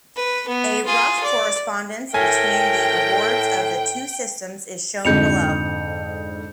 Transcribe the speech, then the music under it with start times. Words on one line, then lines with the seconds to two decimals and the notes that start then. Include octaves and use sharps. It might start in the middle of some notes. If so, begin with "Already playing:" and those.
A rough correspondence between the awards of the two systems is shown below.
0.16 B4
0.48 B3
0.86 F4 G#4
1.23 D5
2.14 A2 A#4 G5 G#5
5.05 F2 G#2 D3 G6 C#7 F7